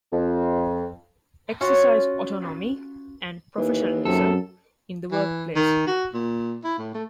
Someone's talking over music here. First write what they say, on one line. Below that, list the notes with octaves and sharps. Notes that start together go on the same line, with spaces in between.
Exercise autonomy and professionalism in the workplace.
F2
C#4 F4 F#4
D#2 E3
F#2 C3 A4
E3
D#3
F#4
A#2
E4
A2
A3